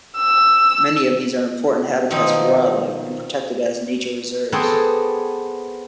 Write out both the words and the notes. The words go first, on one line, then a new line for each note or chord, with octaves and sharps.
Many of these are important habitats for wildlife and protected as nature reserves.
E6
B2 D#3 F3 C4 D#4
B3 C4 F#4 G#4 A4 D5